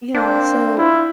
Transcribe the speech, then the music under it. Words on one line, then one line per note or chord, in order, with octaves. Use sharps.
Yeah. So,
A#3 C4 D4 C5
E4 F4